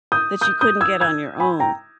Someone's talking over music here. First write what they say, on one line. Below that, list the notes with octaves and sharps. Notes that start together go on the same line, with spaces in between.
that you couldn't get on your own.
D#6 G6
D#6 G6
D#6 G6
E6 G#6
E6 G#6
G#5 B5
G5 A#5